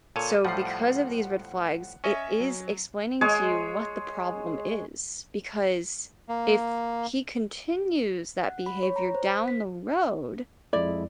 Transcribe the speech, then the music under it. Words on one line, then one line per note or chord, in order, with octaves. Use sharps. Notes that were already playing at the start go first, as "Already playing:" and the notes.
so, because of these red flags, it is explaining to you what the problem is. Because if he continues that behavior down the road
A#2 A4 C#5 A5 D#7
A2 F3 G3 F#5 C7
C#4 C#5 D#5 E5
F#3
G#3 G#4 C#5
A#3
F#5
B5
C#5
A#5
C5
B6
F2 G#3 E4 D5